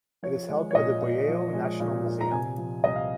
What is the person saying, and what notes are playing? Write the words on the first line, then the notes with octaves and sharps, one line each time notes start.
It is held by the Buyeo National Museum.
F3 C#5
G#3
C#5
A#2 D#5
A#2
F3
G#3
A#2
A#2
A#5
C3 G#5
F3
C2 D#5
F5